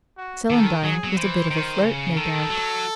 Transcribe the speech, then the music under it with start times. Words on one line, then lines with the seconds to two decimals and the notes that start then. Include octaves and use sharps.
Celandine was a bit of a flirt, no doubt.
0.17 F#4
0.50 D#3 A4
0.83 F#3 G#4
1.04 F#3
1.17 E3 C5
1.51 D#3
1.84 C#3
2.17 D#3 A4
2.50 F#3